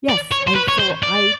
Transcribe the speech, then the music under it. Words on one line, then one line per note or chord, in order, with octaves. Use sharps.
Yes, I so, I
D5
C#5
C5
B4
C#5
C5
D5